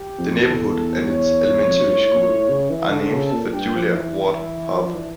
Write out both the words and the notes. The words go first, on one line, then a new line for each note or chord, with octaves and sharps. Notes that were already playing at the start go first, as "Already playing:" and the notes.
The neighborhood and its elementary school are named for Julia Ward Howe.
Already playing: G4
F2
E2 A4
C#5
F2
G2
A2
A#2
A2
C#3
E3
D3 A4
D3
C#3
A#2
G2 G4
F3
E3
E4
F3 D4
E3